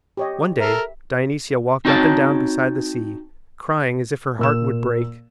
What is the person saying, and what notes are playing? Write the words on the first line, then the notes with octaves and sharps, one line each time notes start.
One day Dionysia walked up and down beside the sea, crying as if her heart would break.
G4 C#5 D#5
A4 A#4 E5
C4 D#4 F#4 C#5 G5 A5
A#2 E6 E7